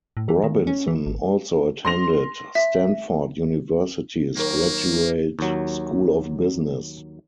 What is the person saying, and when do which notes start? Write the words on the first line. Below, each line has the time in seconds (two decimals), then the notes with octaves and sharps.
Robinson also attended Stanford University's Graduate School of Business.
0.17 A2
0.29 E3
0.44 D#3
0.67 C#4
0.88 E3
1.06 G#1
1.85 C6 A#6 F7
2.55 E5
4.37 D#2 F#3 A#3 A#4
5.39 D#2 F#3